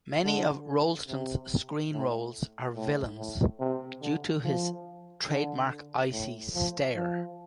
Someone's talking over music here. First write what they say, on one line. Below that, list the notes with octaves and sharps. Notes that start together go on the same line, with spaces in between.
Many of Rolston's screen roles are villains due to his trademark icy stare.
D3
C3
A2
A2
A2
C3
D3
F3
D3
A2
F3
F3